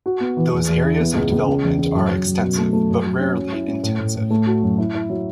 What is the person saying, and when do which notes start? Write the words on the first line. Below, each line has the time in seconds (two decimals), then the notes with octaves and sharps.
Those areas of development are extensive but rarely intensive.
0.06 F#4
0.20 B3
0.37 E3
0.52 E2
0.68 E2
0.83 E4
0.99 B3
1.15 C#2
1.32 C#2
1.47 C#3
1.63 E2
1.78 C#3
1.95 F#2
2.10 F#2
2.26 F#2
2.42 B2
2.58 A3
2.73 A3
2.89 F#2
3.04 F#3
3.21 C#4
3.36 F#3
3.52 E4
3.68 C#4
3.83 A2
3.99 A2
4.16 A2
4.31 A3
4.46 F#4
4.62 F#2
4.78 E4
4.94 E4
5.10 F#3